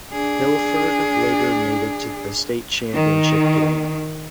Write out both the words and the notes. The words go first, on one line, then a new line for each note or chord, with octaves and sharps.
Milford later made it to the state championship game.
D4 G#4
D#3